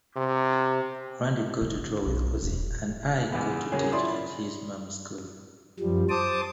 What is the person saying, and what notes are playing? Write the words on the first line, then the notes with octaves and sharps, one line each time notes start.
Randy got to tour with Ozzy...and I got to teach at his mom's school.
C3
D3
B1 A#3
D#1
E2 G#3 B3
C#3 F#3 A#3 C#4 G#4
E4 F4 D5 B5 C6 D#6
F#2 F3 G3
C5 A5 D6 D#6